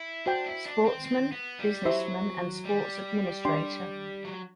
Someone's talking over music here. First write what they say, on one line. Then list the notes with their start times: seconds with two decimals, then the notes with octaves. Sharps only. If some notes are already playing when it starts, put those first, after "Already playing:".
Sportsman, businessman and sports administrator.
Already playing: E4
0.26 D4 F#4 C5 G5
0.46 E4
0.65 D4
0.86 C4
1.06 C4
1.32 B3
1.59 G3
1.85 F#3 E4 G4 C5 E5
2.65 G3
3.45 D4 G4 D5 G5 C6
4.25 F#3